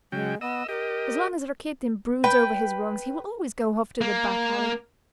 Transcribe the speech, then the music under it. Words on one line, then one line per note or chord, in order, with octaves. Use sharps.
As long as Rakitin broods over his wrongs, he will always go off to the back alley....
C#3 F#3 G#3 G5
B3 D#5 E6
G4 A#4 D#5
B4 G5
A#3